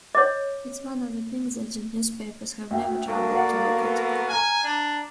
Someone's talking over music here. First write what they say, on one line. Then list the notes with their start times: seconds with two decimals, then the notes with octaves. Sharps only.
It's one of the things that the newspapers have never troubled to look at.
0.15 C#5 D#5 D6
2.71 D2 E5 G5
3.07 F#3 A3 A#3 D4
3.35 D5 F5 F#5
3.76 B3
4.29 G#5 A#5 F6
4.64 D4